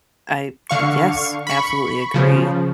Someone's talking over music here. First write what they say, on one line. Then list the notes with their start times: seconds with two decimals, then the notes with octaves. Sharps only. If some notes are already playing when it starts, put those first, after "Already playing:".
I, uh, yes. Absolutely, I agree,
0.69 D3 F5 C#6
1.47 B5 C#6
2.14 C#3 F3